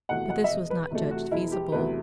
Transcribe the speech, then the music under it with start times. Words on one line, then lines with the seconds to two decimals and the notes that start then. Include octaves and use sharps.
But this was not judged feasible.
0.09 E2 C3 F#3 A3 F#5
0.30 F#5
0.44 E5
0.50 E1 D#5
0.70 B4
0.90 E2 C3 F#3 A3
1.11 F#4
1.31 E1 E4
1.52 G4
1.72 E2 C3 F#3 A3 B4